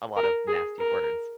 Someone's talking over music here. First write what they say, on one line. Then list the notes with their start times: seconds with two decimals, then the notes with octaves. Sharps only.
a lot of nasty words.
0.16 A#4
0.47 G#4
0.78 A#4